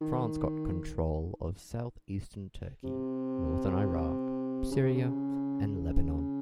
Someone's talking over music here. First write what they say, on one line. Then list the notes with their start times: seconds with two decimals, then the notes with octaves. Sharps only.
France got control of southeastern Turkey, northern Iraq, Syria and Lebanon.
0.01 D#3
2.84 C3
4.71 C#3
4.83 C3
4.94 C#3
5.66 C#3